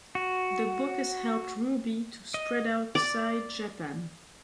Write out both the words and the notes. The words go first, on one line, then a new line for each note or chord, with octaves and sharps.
The book has helped Ruby to spread outside Japan.
F#4
D#5
D5